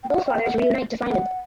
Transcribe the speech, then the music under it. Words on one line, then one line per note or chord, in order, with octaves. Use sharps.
Both fathers reunite to find him.
G5
F#5
G5
F#5
E5
F#5